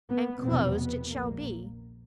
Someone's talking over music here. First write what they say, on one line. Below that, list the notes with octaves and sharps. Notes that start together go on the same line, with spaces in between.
And closed it shall be.
B3
F1 E2 B2 C4
B3
A#1 A#2 A#3